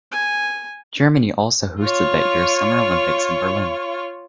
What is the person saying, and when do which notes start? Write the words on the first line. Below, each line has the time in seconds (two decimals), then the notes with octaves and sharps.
Germany also hosted that year's Summer Olympics in Berlin.
0.12 G#5
1.82 F4 C#5